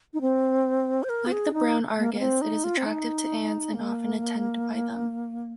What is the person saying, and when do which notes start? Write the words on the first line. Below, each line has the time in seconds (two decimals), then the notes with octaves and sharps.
Like the brown argus, it is attractive to ants and often attended by them.
0.14 D#4
0.21 C4
1.03 C5
1.09 A#4
1.26 F4
1.32 G#4
1.54 D#4
1.98 A#3
2.14 A#3
2.20 C4
2.42 D#4
2.64 F4
2.77 C4
2.86 D#4
3.74 A#3